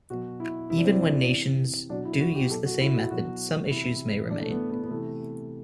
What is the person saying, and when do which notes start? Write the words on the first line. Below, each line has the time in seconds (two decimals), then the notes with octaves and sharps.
Even when nations do use the same method, some issues may remain.
0.10 B2 F#3 F#4
0.40 E4
0.70 C3 E3 E4
0.78 D4
0.84 C4
0.92 D4
1.30 C3 E3
1.90 B2 F#3 D4
2.05 E4
2.20 F#4
2.31 F#4
2.35 G4
2.50 B2 F#3 A4
2.65 F#4
2.80 E4
2.96 F#4
3.11 B2 F#3 F#4
3.70 C3 E3 E4
4.30 A2 E3 D4
4.41 A3
4.50 B3
4.70 B3
4.83 B3
4.90 C3 E3 A3